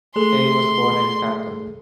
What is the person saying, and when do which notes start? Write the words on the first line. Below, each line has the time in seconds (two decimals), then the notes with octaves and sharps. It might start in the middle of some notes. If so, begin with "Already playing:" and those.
Kaye was born in Clapton.
0.16 A3 G#4 A4 C6